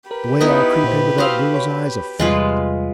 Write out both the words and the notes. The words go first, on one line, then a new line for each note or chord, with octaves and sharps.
"The way I'll creep into that bull's-eye's a fact."
G4 A#4 B4
B3 D#4 E4
A#2 C5
F#4 C5 F5 C6 D#6 E6
C#5 B5
E2 C3 G3 G#3 F4 B4